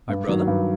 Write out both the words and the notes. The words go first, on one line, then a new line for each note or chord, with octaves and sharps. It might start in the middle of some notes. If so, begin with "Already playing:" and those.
"My brother?"
G2
D#3 F#3
G2